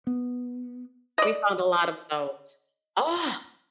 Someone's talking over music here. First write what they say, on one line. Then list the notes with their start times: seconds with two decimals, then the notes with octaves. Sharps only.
We found a lot of those. Ah!
0.07 B3
1.18 D5 D#5